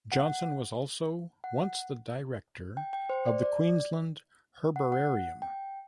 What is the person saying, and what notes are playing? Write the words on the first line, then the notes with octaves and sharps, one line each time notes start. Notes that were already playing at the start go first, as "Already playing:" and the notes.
Johnson was also once the Director of the Queensland Herbarium.
F#5
F#5
G5
G5
C5
D5
D5
F#5
F#5
G5